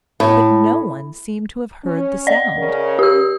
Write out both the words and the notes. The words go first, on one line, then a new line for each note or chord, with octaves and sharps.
But no one seemed to have heard the sound.
A2
C#4
D5 D#5
C#3 C#4 A#4
G4 E6